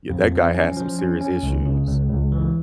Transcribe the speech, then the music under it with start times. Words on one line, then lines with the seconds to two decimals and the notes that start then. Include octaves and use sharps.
Yeah, that guy had some serious issues.
0.10 F2
0.32 F3
0.55 C#4
0.77 F3
0.99 C#4
1.21 C#4
1.43 C#2
1.66 C#3
1.88 C#2
2.10 C#2
2.32 E3